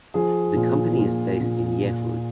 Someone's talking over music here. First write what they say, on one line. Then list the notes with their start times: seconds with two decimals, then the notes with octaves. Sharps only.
The company is based in Yehud.
0.14 F3 G#4
0.56 A#2
0.99 A#2
1.41 A#2
1.83 A#2